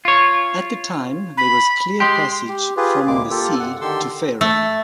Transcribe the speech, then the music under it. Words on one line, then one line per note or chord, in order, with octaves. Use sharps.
At the time there was clear passage from the sea to Farum.
F4 C#5
B5
G#3 G4 C6
G4
F4 G4 G#4 B4
D2 A#2 G#3 A#3 D6
A#3 F4 G4 A4
F#2 F#5
D3 D#3 G4 A4 C6 E6
A3